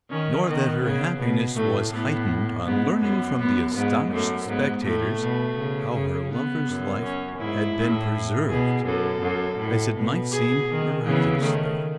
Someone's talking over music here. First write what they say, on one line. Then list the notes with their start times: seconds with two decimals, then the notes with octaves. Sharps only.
Nor, that her happiness was heightened, on learning from the astonished spectators, how her lover's life had been preserved--as it might seem miraculously.
0.10 D#3 C#4
0.46 D#3 B3
0.83 C#3
1.19 B2
1.56 A2 A3
1.92 A2 B3
2.65 G#2 B3
3.01 F#2 B3
3.38 B3
3.75 G#2 B3
4.11 F#2 A3
4.48 G#2 B3
4.84 A2 A3
5.21 B2
5.58 C#3
5.94 C#3
6.30 B3
6.67 F#2
7.03 C#4
7.40 G#2 E4
7.76 A2
8.49 B2 G#4
8.86 F#2 A4
9.22 F#2
9.59 A2
9.96 B2
10.32 G#4
10.69 D#3
11.04 C#3 E3 B3
11.41 D#3 A3